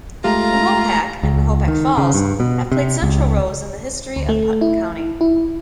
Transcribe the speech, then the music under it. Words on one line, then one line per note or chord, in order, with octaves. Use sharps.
Mahopac and Mahopac Falls have played central roles in the history of Putnam County.
G#3 A3 F4 G4 A#5
C#2
D#3
C#3
G2
B2
C3
C#2
D2
A3
E4
E4